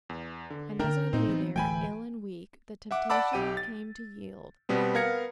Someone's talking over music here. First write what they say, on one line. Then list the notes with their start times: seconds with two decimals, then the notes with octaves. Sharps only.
And as I lay there ill and weak, the temptation came to yield.
0.09 E2
0.50 D3
0.79 D3 D4 A#4 G5 A#5
1.13 A2 C4 D#4
1.28 E3 B3
1.56 D1 E3 A3 G5 G#5 B5
2.91 E5 F#5 D6
3.09 D5 F#5 A5 B5 D6 E6
3.33 B1 G4 G5 D#7
3.57 A6
4.69 B2 G3 B3 C4
4.94 B3 A#4 F5 G#6 A#6 C#7